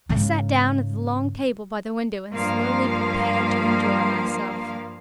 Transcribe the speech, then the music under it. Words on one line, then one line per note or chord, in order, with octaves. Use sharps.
I sat down at the long table by the window and slowly prepared to enjoy myself.
G#2 C#3
G2 F3 A#3 F5